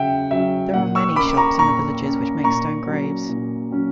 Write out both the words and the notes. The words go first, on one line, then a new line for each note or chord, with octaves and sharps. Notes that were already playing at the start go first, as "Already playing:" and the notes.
There are many shops in the villages which makes stone graves.
Already playing: C#3 F#3 C#4 E5 F#5 G5
F#3 C#4 E5
A#2 F#5
C#6 E6
A#3 C#4 B5 D6
A#5 C#6
A#2 A#5 C#6
A#3 C#4
A#2 A#5 C#6
F#3 C#4
A#2
F#3 C#4